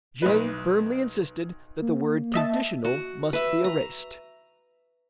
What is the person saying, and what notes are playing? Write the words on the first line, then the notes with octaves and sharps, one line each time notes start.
Jay firmly insisted that the word "conditional" must be erased.
B1 D#4 B4
A#3
D#5 E5 A5
F#4
B4 E5
A#5